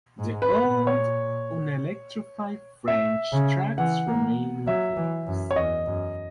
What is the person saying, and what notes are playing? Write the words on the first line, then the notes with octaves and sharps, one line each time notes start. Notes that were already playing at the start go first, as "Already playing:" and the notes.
The old, unelectrified, French tracks remain in place.
G#2
B4
A#2 B4
C#5
E5
C#3
E3 F#5
A#3
F#3 E5
E3
F#2
C#5
E2 D#5
F#2